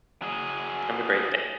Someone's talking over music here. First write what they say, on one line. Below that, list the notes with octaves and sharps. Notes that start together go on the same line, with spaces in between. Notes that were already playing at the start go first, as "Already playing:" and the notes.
Have a great da
F#3 G#4